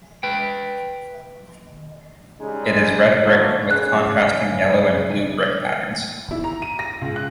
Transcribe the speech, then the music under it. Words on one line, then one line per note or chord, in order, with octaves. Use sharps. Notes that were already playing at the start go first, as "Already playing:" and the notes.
It is red brick with contrasting yellow and blue brick patterns.
B4 G5
C#3 G3 G#3 D#4
D3 D#3 F#3 A3 A#3
C#3 F#6
E4
A#5
D#7
A#6
C#2
F#6